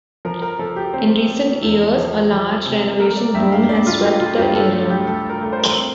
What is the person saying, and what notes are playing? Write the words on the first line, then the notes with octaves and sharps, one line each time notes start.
In recent years a large renovation boom has swept the area.
F3 A#4
A#4
F3 A4
G4
C4
C4
E2 A4
F3
F3
C3
A3 A#4
D5
G2 E5
F5
G2 D5
F4
A3 G4
F4
G2 G4
A4
A3
G4
A3 A4
A#4
A3
C5
A#4
C5
C4